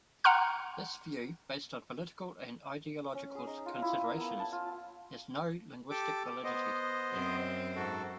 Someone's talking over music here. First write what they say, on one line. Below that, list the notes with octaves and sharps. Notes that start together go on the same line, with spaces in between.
This view, based on political and ideological considerations, has no linguistic validity.
F#5 G5 A#5 C6 F6 F#6
C#4
G#4
D#4
F4
E4
A#3
B3
A5
F4
G4 A4 D6
B3 C5 D#5
F#2 C4
G#2 F#4 A4